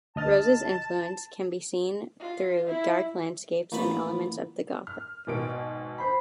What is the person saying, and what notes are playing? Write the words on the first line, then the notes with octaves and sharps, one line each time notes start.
Rosa's influence can be seen through dark landscapes and elements of the Gothic.
D2 D#5 A5 F6
F4
E4
A1 A#2 B3 F#4 B4 B5
F6
G#1 B2 D7
C5 B5